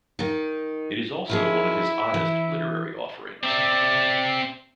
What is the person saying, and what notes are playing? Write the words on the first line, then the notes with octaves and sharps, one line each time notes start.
It is also one of his oddest literary offerings.
D#3 D#4
D#3 F3 E4 G#4
E3
C4 D5 E5